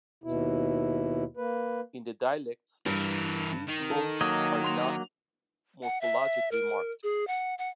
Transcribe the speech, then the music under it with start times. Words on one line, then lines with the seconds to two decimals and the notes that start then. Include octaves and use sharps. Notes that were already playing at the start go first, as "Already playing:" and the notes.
In the dialects, these moods are not morphologically marked.
0.24 D#2 B2 E4
1.37 A#3 B4
2.86 G2 E3 A#4
3.68 D#3
3.90 A4
4.21 F#3 A#3 D#5
4.64 C6 F7
5.82 F#5
6.01 E5
6.51 A#4
7.03 G#4
7.27 F#5
7.58 F#5